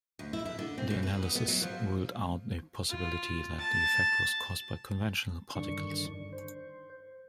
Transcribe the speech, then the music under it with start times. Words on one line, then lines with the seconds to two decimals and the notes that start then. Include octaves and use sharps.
The analysis ruled out the possibility that the effect was caused by conventional particles.
0.19 D2
0.33 E4
0.46 E4
0.59 D3
0.78 C4
0.90 B2
1.03 B4
1.23 B3
1.35 B3
1.48 F#3
1.62 F3
2.89 F4
3.59 A5
5.55 G2 D3 D#3 D4 C#6
6.33 C5